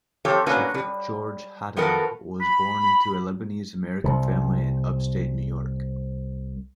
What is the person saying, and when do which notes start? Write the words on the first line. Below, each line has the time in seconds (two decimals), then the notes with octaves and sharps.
Shafick George Hatem was born into a Lebanese-American family in upstate New York.
0.25 F3 C4 G4 A4 C#5
0.46 A#3 B3 C#4 D4 F#4 B4
0.74 G3
1.76 D#3 F3 B3 F#4 A4 A#4
2.41 B5
4.04 C2 C3